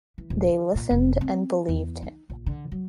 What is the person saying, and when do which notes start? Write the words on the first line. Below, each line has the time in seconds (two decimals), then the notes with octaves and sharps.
They listened and believed him.
0.18 E3
0.30 D#1
0.49 D#3
0.75 A#2
0.90 F1
1.21 C4
1.69 E2
2.02 D#4
2.30 A#1
2.46 D3
2.72 F#3